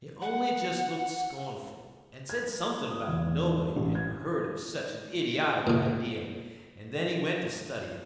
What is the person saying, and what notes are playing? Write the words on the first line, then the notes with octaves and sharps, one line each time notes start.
He only just looked scornful, and said something about nobody ever heard of such an idiotic idea, and then he went to studying.
F#5
G#6
D#6
E2
A1
G#6
A#2 C#3